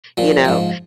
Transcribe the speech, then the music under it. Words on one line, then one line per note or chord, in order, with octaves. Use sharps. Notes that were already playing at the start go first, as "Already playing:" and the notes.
you know?
A#2 F3
G#2 F3